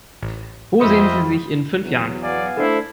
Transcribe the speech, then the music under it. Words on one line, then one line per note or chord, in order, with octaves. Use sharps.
Wo sehen Sie sich in fünf Jahren?
A1
F2 C5 D#5 E5 B5 C#7
E2 F#3
B3 D5 F5 G#5
A3 D4 E4 A4 C5